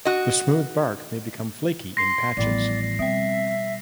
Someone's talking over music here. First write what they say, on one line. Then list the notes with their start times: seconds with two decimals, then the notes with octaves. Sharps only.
The smooth bark may become flaky in patches.
0.05 F#4 D#5
1.97 C6 A#6 C7
2.37 A1 F3 G3 B3 D5
2.99 B2 G3 C4 E5